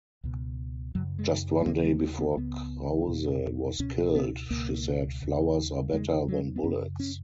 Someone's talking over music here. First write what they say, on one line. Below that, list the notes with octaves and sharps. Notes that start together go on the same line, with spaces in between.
Just one day before Krause was killed, she said "flowers are better than bullets".
C#2 B2
F#2 C#3 F#3
G#3
G#3
D#2 C#3 A#3
G#3
A#3
B3
C#2 C#3 B3
E2 B2
C#2 B2 C#4
B3
C#2 B2 A#3
D#2 C#3
E2 C#3 G#3
F#3
B3
F#2 C#3 C#4
C#4